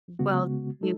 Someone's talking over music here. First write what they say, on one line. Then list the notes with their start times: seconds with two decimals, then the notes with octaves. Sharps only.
Well, you
0.19 C#3 G#3 B3 F#4
0.81 G#3 D#4 A4